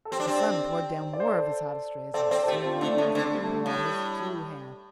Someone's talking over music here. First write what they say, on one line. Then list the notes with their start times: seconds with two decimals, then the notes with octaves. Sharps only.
The sun poured down more of his hottest rays and soon the monkey was able to pull out his two hands.
0.05 A4
0.11 C4 G4 C5
0.20 D4
0.27 C4
1.13 D5
1.20 C5
1.27 A4 D5
2.14 C4 A4 D5
2.31 C4 A4 D5
2.44 A4
2.47 A3 G4 C5
2.64 C4 F4
2.81 D3 A3 D4
2.98 A2 A3
3.15 D3 C4
3.25 A3
3.35 G3
3.44 A3
3.65 A2 G3